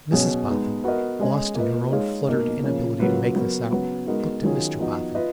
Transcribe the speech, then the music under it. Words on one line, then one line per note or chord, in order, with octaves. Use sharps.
Mrs Boffin, lost in her own fluttered inability to make this out, looked at Mr Boffin.
B2 F#3 C#4 G#4 C#5
G#3 B3 D#4
B3 F#4 A#4 D#5
G#3 C#4 G#4 D#5
A#3 F4 B4 D#5
G#3 D#4 G#4 C#5 F5
B2 A#3 D#4 F#4 A#4
C#3 F3 A#3 C#4
C#3 F#3 A#3 F4 B4
F#3 B3 F#4 A#4
C#3 F#3 B3
G#3 B3 D#4 F#4 A#4
D#3 F#3 C#4 F4 G#4
F3 B3 D#4 F#4
F4 B4 D#5